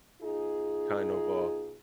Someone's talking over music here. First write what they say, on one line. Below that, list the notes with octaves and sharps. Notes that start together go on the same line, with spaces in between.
kind of, uh,
B2 D#4 F4 G#4